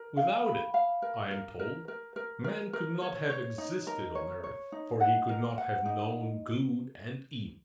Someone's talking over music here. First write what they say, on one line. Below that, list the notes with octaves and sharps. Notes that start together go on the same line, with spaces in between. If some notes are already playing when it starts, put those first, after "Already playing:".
Without it, I am told, man could not have existed on earth, for he could not have known good and evil.
Already playing: A#4
F5
B5
F5
A#4
A#4
A#4
A#4
A#4
A#4
A#4
C#5
C#5
D#4
A#4
C#5
C#5
D#4
F#5
A#4
F#5
D#4